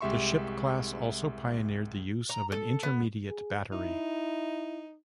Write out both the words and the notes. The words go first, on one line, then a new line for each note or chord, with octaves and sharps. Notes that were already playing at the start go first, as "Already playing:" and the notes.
The ship class also pioneered the use of an intermediate battery.
C2 G#3 G4 E5 C6 C#6
A#5
A4
B3
G#4
D#4 E4